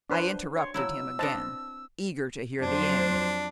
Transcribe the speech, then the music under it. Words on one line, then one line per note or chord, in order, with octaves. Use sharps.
I interrupted him again, eager to hear the end.
D4 B4 C5
C#5 C6
F3 F#3 E4 E6
B3 C4 D4 C5 D#5 A5
F2 F#3 D4 C5